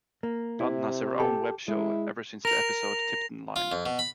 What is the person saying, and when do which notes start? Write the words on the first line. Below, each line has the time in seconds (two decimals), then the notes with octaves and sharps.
London has her own web-show, ever since the episode Tiptonline.
0.23 A#3
0.60 C3 E4
1.20 G4 A4
1.68 G#3 E4
2.45 A#4 A#6 F7
3.56 F4
3.72 F2
3.86 B2
3.99 B5